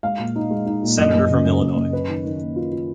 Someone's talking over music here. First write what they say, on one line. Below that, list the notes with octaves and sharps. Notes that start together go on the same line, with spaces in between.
Senator from Illinois.
G#3 F5
A#2
D#4
G#3
D#4
A#2
F#2 D#5
F#2
C#3
F#2
F#2
F#2
C#4 B4
D#3
D#3
A#3
F4
F4